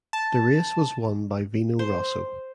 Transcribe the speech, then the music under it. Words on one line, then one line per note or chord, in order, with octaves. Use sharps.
The race was won by Vino Rosso.
A5
C5